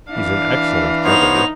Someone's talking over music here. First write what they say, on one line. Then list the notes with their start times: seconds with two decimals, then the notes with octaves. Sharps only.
He's an excellent brother.
0.11 E3 D4 F5
1.04 B3 D#4 C5 C#5 F7